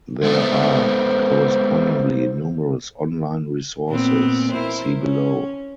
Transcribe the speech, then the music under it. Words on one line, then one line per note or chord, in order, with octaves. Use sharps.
There are, correspondingly, numerous online resources; see below.
G#3 A3 B3 C5
A#2 B3 C4
E4 A#4 C5
C#4